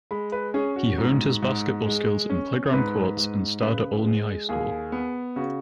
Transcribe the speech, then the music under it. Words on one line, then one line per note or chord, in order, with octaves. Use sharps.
He honed his basketball skills in playground courts and starred at Olney High School.
G#3 B5
B4
C#4 G#4
F#4
G#2
G#2
G#3
C#4
G#2 B4
G#2
C#3 B4
G#3
D#2 G#4
B3
C#3 F#4